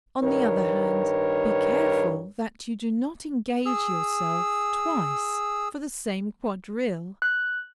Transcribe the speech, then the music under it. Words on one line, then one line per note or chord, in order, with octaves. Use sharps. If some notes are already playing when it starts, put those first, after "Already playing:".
On the other hand, be careful that you do not engage yourself twice for the same quadrille.
G2 D#3 A#4 B4 C#5
G#4 E6
F#6